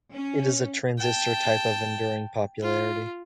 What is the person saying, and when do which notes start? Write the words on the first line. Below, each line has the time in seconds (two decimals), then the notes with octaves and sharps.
It is a transistor type of enduring popularity.
0.11 C#4
0.98 G5 A5
2.62 F4